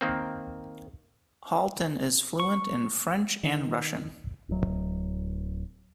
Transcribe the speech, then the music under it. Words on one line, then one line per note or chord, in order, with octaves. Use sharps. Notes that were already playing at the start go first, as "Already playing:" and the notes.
Halton is fluent in French and Russian.
D#3 A#3 C4
C#6
D#3
D1 F#3